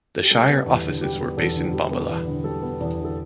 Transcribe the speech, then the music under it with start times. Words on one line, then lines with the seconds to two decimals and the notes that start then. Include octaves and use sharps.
The shire offices were based in Bombala.
0.23 G4
0.31 G3 A4
0.49 B3
0.66 E2
0.84 D3
1.02 G3 G4
1.20 B3
1.37 E2 A4
1.56 D3
1.74 G3
1.91 B3
2.09 E2
2.27 D3
2.44 G3 A4
2.62 B3
2.81 E2
2.98 D3
3.05 A4